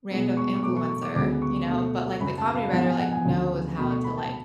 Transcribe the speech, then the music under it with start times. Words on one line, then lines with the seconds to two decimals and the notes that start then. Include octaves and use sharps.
random influencer, you know, but like the comedy writer like, knows how to like,
0.10 B2 G#3 B3
0.37 C#6
0.55 C#6
0.63 B2 F#3 A3 D6
0.76 C#6
0.89 C#6
1.03 D6
1.16 D2 C#3 G#3 B3 D6
1.42 C#6
1.68 B2 A3
2.20 F#2 C#3 F#3 B5
2.38 A5
2.55 F5
2.73 G#2 F3 B3 F#5
2.86 G#5
2.99 F#5
3.12 G#5
3.25 D2 C#3 F3
3.78 B2 A3 B5
3.91 C#6
4.04 B5
4.17 A5